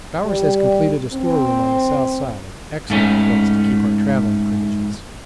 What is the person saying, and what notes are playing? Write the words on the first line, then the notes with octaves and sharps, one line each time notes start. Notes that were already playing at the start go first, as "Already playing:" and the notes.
Bowers has completed a storeroom on the south side, an excellent place to keep our travelling provisions.
G3
C4
G#2 A3 C#4